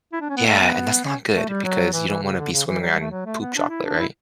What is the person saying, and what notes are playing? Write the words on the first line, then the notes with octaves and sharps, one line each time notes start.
Yeah, and that's not good because you don't wanna be swimming around poop chocolate, right?
E4
D4
C#4
B3
A3
B3
C#4
A3
G3
F#3
E3
E3
C#3
D3
C#3
E3
F#3
G3
A3
F#3
A3
B3
D4
E4
D4
E4